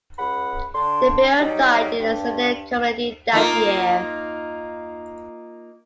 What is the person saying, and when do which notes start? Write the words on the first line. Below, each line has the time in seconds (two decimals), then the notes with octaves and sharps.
The bill died in a Senate committee that year.
0.18 C#2 F#5 B5
0.73 D3 D4 C6
1.40 F#3 G3 D#4
1.99 G2
3.33 A#3 D#4 F4